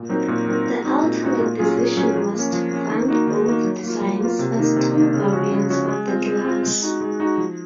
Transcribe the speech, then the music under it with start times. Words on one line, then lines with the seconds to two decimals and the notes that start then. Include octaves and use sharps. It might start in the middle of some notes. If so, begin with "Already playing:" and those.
The ultimate decision was to fund both designs as two variants of the class.
Already playing: A#2
0.09 F#3 C4 D#4 A#4
0.28 A#2
0.47 F#3 C4 D#4 A#4
0.66 A#2
0.84 G#3 C4 D#4 F#4
1.03 A#2
1.22 G#3 C4 D#4 F#4
1.41 A#2
1.59 F#3 C#4 F4 G#4
1.78 A#2
1.97 F#3 C#4 F4 G#4
2.15 F3
2.34 A#3 C#4
2.53 F3
2.71 A#3 C#4
2.90 D#3
3.08 A#3 D#4 F#4
3.27 D#3
3.46 A#3 D#4 F#4
3.65 F#3
3.84 A#3 F4
4.02 F#3
4.20 A#3 F4
4.39 C3
4.58 D#3 A#3 D#4
4.76 C3
4.95 D#3 A#3 D#4
5.14 C#3
5.32 F3 G#3 C#4 F#4
5.51 C#3
5.70 F3 G#3 C#4 F#4
5.89 G#3
6.07 C4 F4
6.26 G#3
6.45 C4 F4
6.63 G#3
6.82 D#4 F#4
7.01 G#3
7.20 D#4 F#4
7.38 F3